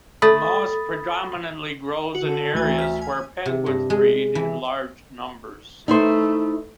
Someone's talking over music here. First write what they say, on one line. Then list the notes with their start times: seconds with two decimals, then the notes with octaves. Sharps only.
The moss predominantly grows in areas where penguins breed in large numbers.
0.22 A3 B5 D#6 A6
2.15 D3 F#4
2.55 D2 E3 A3 G#5
2.78 F6 B6
3.02 G#5
3.46 C3
3.66 G2
3.90 G#3
4.35 E3
5.88 A3 D#4 E4 C5